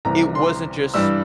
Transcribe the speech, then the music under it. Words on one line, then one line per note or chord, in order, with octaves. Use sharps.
it wasn't just,
C2 C3 E3 G3 A#5
C6
G2 E3 G3 E6